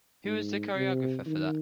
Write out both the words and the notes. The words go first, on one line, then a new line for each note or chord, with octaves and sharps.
Who was the choreographer for that?
G#2
C3
D#3